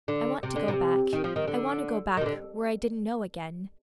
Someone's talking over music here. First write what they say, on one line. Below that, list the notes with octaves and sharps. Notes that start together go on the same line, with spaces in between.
"I want to go back--I want to go back, where I didn't know--again."
D3
C3
D3
C3
D#3
F3
D#3
D3
D#3
C3
D3